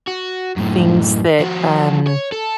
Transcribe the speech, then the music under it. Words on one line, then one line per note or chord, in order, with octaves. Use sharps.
things that, um
F#4
F#2 A2
F3 F#4
C#5
A4